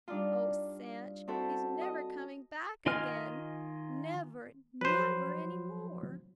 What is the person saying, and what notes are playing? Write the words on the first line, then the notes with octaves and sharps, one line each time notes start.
"Oh, Sanch, he's never coming back again; never, never any more!"
G3 D4 D#4 F4
C4 E4 F#4 A4 C5
D#5
D#3 F4 D#5 G#5 F6
F3 F#3 B4 C5